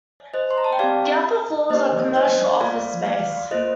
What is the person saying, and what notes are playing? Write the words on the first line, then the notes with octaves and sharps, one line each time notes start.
The upper floors are commercial office space.
C5 D#5
C6
A#5
A5
G5
C4 G4 D5 F5
A#3 D#4 G4 C5 D#5
C5 D#5
A#3 F4 A4 D5 F5
D5 F5
A#3 F4 A4 C5 D#5